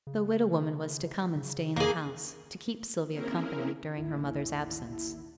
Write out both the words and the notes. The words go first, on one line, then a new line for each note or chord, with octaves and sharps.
The widow-woman was to come and stay in the house, to keep Sylvia company, during her mother's absence.
C#3
C#3
F2 A#3 G#4
A#3 C4 C#4 E4 G#4 A#4
A1 D#2 E4